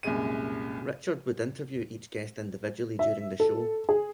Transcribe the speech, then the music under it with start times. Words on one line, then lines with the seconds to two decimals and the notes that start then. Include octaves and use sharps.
Richard would interview each guest individually during the show.
0.03 C2 F#2 A#2 G#3 D#7
2.99 E5
3.40 A4
3.89 G#4